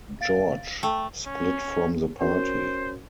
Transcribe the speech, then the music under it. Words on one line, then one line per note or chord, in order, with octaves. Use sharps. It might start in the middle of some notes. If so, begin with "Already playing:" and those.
George split from the party.
F5 A6 D7
A3 G5
C#4
C#4 F#4 A#4 C5